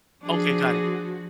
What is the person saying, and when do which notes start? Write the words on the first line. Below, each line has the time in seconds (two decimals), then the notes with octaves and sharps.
Okay, got it.
0.23 F3 D4 F#4 G#4